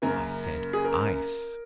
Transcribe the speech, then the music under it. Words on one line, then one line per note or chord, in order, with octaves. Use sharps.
"I said ice."
F#2 C#3 A#3 A#4
G#4
A#4